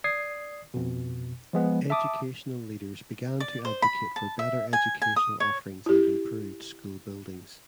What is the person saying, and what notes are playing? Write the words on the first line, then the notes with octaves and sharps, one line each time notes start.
Educational leaders began to advocate for better educational offerings and improved school buildings.
D5 D#6 G#6 C7
F2 B2
F3 G#3 B3
E5 A5 D6 D#6
D5
C5
B5
A5
E5
G#5
G#5
D#6
C#5
E4 G4